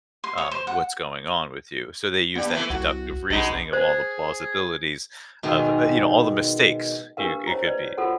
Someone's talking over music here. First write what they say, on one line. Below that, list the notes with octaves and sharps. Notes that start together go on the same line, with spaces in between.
uh, what's going on with you." So, they use that deductive reasoning of all the plausibilities of uh, you know, all the mistakes you it could be.
C6
C#5
C5
F#5
G2 G3 B3
E3 A3
C2 F#4
A#1 B2 G#3 D#4
G#4 C5
B2 D#3 G#3
D4 G4 A#4 B4 F5
C5 C#5 A#5
B4 C5 D5
C#5
F4 F#4 A4 A#4 C5 F#5